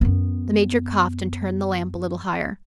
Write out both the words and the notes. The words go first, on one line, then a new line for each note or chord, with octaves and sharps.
The Major coughed and turned the lamp a little higher.
F#2 B3